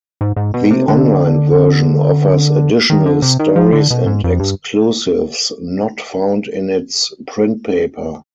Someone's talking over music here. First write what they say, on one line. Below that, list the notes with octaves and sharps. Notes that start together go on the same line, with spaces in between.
The online version offers additional stories and exclusives not found in its print paper.
G#2
G#2
B2
C3
D3
D#3
D3
C3
D#3
F3
D3
B2
G#2
F2
G2